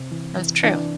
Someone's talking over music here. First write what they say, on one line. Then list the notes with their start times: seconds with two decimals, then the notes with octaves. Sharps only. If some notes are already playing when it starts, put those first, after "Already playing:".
That's true.
Already playing: C3 C4
0.12 E3
0.38 E3
0.64 E3 D4